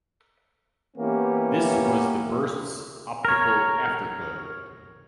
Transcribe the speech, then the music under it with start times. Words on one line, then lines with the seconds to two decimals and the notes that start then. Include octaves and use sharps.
This was the burst's optical afterglow.
0.97 E3 A#3 B3 C#4 E4 G4
3.25 A#4 C#5